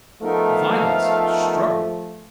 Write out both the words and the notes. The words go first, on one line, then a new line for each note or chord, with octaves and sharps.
"Violence! Struggle!"
F3 A3 B3 D#4 A#4 F5